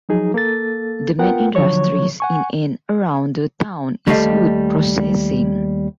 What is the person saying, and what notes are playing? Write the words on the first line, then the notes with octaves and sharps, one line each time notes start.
The main industries in and around the town is wood processing.
F3 F#3 D#4 G#4
A#3 A4 A6
B3 F4 A#4 F#5 G5
D3 F3 F#3 C#5 C#6
F#5 G#5 C#6
D#2 G3 A3 G4 D#5 F5